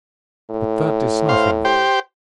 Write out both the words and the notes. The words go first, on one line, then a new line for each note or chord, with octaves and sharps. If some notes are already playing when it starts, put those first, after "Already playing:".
But that is nothing.
A2
C5 F5
G4 C5 G5